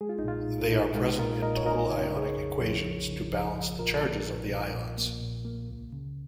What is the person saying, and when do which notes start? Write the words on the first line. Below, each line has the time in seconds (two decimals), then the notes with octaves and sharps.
They are present in total ionic equations to balance the charges of the ions.
0.01 G#3 G#4
0.09 F4
0.19 D#4
0.24 A#2 F4
0.48 A#2
0.72 D#4
0.95 G#3 F4
1.19 A#2 F4 A#4
1.42 A#2 A#4 D#5
1.57 C#5
1.66 D#4 A#4 D#5
1.90 C#3 C#5
2.04 A#4
2.13 C#3 G#4 C#5
2.37 F2
2.60 F3
2.84 F3
3.08 C#3
3.32 F3
3.55 F3
3.79 A#2 F4 A#4
4.03 A#3
4.27 A#2
4.50 A#2
4.74 A#2
4.98 A#3
5.21 A#2
5.45 A#3
5.68 C#2
5.93 C#3